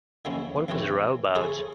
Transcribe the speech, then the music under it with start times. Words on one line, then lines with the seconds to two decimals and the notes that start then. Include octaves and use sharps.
What was the row about?
0.25 D#3 F3 F#3 A#3 C#4 E4
0.68 C2 C3 E3 E4 G4 C#5
1.35 E4 G#4 A4 C5 C#5